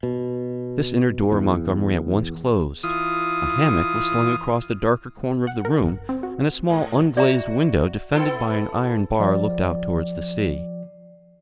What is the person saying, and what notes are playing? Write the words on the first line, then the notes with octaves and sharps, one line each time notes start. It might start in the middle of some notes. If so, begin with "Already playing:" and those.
This inner door Montgomery at once closed. A hammock was slung across the darker corner of the room, and a small unglazed window defended by an iron bar looked out towards the sea.
B2
E2
E3 F4 D#6
F#5
A#4
G1
C4
F#4
G#2
F#4 D5 E5 A#5
B3 E4 A4
F3 D5